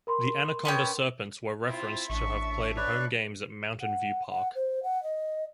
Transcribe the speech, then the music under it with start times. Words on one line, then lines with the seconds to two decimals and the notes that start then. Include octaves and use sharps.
The Anaconda Serpents were referenced to have played home games at Mountain View Park.
0.07 A#4 B5 C6
0.65 B3 C#4 G5
1.67 C4 E4 F4
2.10 A1 D4 E5 C#6
2.77 B4 C#5 D5
3.81 F#5
4.30 F#5
4.55 C5
4.83 F#5
5.03 D#5